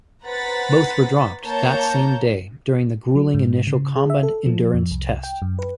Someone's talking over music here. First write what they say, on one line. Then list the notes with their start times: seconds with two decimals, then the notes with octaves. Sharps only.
Both were dropped that same day during the grueling initial Combat Endurance Test.
0.24 B4 C5 F#5 A#5 A6 B6
1.44 A#3 C#5 A5 A#5 G6
3.15 F#3
3.34 G#2
3.67 C#3
3.96 G#4
4.10 E5
4.23 A4
4.46 F3
4.74 F2
4.91 C2
5.23 G5
5.42 F#2
5.59 B4